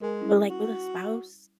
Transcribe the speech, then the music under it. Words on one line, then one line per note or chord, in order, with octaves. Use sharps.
but, like, with a spouse,
G#3 A#4 G#5
G3 C#4 E4
F#4